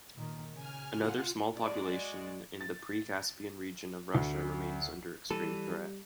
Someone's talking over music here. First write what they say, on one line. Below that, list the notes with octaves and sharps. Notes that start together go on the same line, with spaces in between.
Another small population in the Pre-Caspian region of Russia remains under extreme threat.
A#2 D#3
C#3 G#5 F6
F4 F#5
G#3 F#4 D5
A6
D2
E3 G3 A4